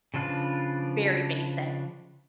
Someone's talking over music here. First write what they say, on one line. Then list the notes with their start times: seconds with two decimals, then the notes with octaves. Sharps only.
very basic.
0.14 C#3 F3 D4 F4 B4